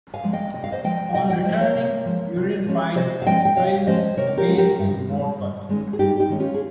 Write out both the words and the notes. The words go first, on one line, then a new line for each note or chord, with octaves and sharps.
On returning, Urien finds the twins Owain and Morfudd.
F5 G#5
F3 G#3
D#5 G5
C3 D#5
F5
C5 D#5
F3 G#3 D#5 G5
C3 D#5 G5
D#5 G5
F3 G#3 C5 D#5
A#4 C#5
C3
F3 G#3
C3
F3 G#3 C#4
C3 C5 D#5
F5
F3 G#3 C#4 D#5 G5
G5
C3 C#5 F5
F3 G#3 C#4 C5 D#5
C3 A#4 C#5
G4 A#4
F3 G#3 C#4
G4 A#4
G2
D#3 G#3 C#4
G2
D#3 G#3 C#4
G#4
G2 D#4 G4
D#4 G4
D#3 G#3 C#4
C#4 F4
G#4